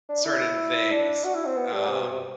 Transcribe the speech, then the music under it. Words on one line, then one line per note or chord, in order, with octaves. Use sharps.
certain things, um
D4
E4
D4
F#4
E4
C4
B3
G3
C3
B2
C3